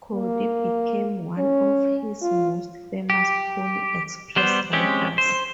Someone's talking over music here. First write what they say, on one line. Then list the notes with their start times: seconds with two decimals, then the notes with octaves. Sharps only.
Cody became one of his most famous Pony Express riders.
0.14 A#3
1.38 C#4
2.22 F4
3.10 G4
4.36 G3 B3 C5
4.73 G#3 C4 C#4 G4
5.18 C5